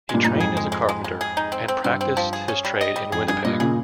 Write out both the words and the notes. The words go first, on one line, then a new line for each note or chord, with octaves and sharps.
He trained as a carpenter, and practiced his trade in Winnipeg.
G2 A#2 G#3
A#2 D#4
F2 G#2
G#4
G#3
G#3
G#3
G#3
G#4
D#4
C4
C4
G2 C4
C4
F3
G#4
C#4
G3
D#5
G3
F2 G#4
G2 G#4
G2 A#2 D#5
A#2 C#3 G#4